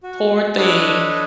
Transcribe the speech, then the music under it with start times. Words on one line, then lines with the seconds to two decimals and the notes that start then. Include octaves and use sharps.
Poor thing,
0.03 F#4
0.57 D4 A4 B4 C#5 D#5